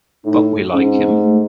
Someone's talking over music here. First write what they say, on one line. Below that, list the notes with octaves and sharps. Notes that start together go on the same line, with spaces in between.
But we like him.
A2 D#4
G#2 C#4
C#4
C4
A3
A3